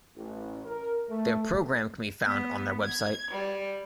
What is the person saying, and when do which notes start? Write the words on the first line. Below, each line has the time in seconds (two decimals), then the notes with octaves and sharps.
Their program can be found on their website.
0.15 A1
0.65 A#4
1.10 A3
2.27 B3
2.86 G#6
3.30 G3